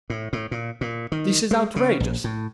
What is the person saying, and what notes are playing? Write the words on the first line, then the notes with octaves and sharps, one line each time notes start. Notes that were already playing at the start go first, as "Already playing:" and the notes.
This is outrageous!
A2
A2
A#2
A#2
D#3
G#3
C#3
A#1
A2